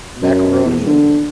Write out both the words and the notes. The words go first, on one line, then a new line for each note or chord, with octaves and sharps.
macaroni and
F#2
E2
D3